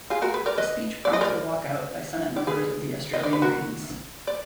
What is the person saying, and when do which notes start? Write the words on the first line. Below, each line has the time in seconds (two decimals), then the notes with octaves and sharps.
The speech prompted a walk out by Senate members of the Australian Greens.
0.10 F4 G#4
0.22 F#4 A#4
0.34 G#4 B4
0.46 A#4 D5
0.58 B4 D#5
1.05 D5
1.13 D#5
1.21 A#4 D5
2.36 D5
2.47 G#4 B4
3.14 D#5
3.23 D5
3.33 B4
3.42 F#4 A#4
4.27 D5